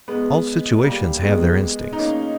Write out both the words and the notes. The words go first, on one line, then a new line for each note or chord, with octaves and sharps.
All situations have their instincts.
G#3 B3
G3 A#3
G#3 B3
D#4
A#3 C#4